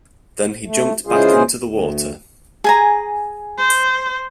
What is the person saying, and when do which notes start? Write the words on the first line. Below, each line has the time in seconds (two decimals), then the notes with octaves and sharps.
Then he jumped back into the water.
0.66 A3
1.07 C#3 E3 G#3 F4 G#4 C5
1.62 D2
2.64 G#4 G#5 A#5
3.58 C5